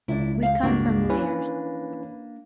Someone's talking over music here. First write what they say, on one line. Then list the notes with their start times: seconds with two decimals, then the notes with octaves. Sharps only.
We come from Llers.
0.08 C#2 D4 E4
0.42 F5
0.63 C#2 G2 A#3 D4 F#4
1.09 E3 C#4 B4